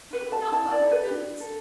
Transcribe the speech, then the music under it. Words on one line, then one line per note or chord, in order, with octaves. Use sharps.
I have not got my boots!
B4
A4
A5
E4 A5
D5
A4
B4
D4
A4